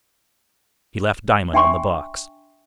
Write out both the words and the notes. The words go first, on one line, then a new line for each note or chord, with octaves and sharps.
He left Diamond on the box.
D4 E5 G5 G#5 C6 C#6